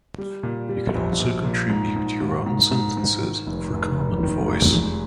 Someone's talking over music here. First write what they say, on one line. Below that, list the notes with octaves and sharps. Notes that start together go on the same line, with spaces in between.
You can also contribute own sentenes for "Common Voice".
G3
A#2
G3
A#1
A#1
A#2
G#2
G#2
G#2
G#2
G#2
G#2
D#3
F1
F1
F1
D#3
F1
G#3